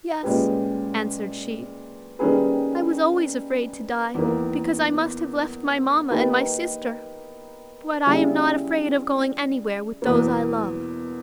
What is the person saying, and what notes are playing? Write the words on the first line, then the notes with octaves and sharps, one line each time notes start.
"Yes," answered she, "I was always afraid to die; because I must have left my mamma, and my sister; but I am not afraid of going anywhere with those I love."
A#2 G#3 C#4 G4 B4
D#3 G3 C#4 G#4 B4
E2 D#3 A#3
D#3 A#3 D#4 G4 B4
C#3 G3 C#4 E4 G#4
E2 B2 A#3